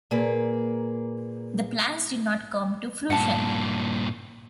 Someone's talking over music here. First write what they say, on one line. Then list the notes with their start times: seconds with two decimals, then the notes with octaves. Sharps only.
The plans did not come to fruition.
0.11 A#2 A#3 G#4 B4
3.10 G2 A#2 F#5 A5